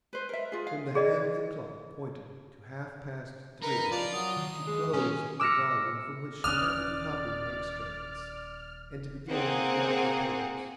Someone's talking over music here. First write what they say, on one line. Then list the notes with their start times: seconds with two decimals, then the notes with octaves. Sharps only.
When the hand of the clock pointed to half-past three, she closed the volume from which she had been copying extracts, and began to collect her papers.
0.13 B4 C5
0.29 A#4 E5
0.52 F4 G#4
0.67 F5
0.95 G#4 D5 D#5
3.62 D#4 A#4 B4
3.91 F3 F4 D5
4.13 F#3 D#6
4.37 D#2
4.67 G#3
4.93 B1 C3 C#4
5.40 D6 E6 F6 A#6 C#7
6.44 D#1 D#2 C#4 D5 D#6 F6 F#6
9.30 A#3 C4 G#4 F#5